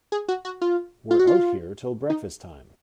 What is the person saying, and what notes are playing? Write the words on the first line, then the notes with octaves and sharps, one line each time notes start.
We're out here till breakfast-time.
G#4
F#4
F#4
F4
F4
F#4
F4
D#4